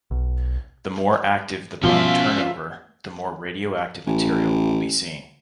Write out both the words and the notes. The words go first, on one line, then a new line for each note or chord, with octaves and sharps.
The more active the bone turnover, the more radioactive material will be seen.
B1
B2 F3 C#4 F4 E5 C6
A1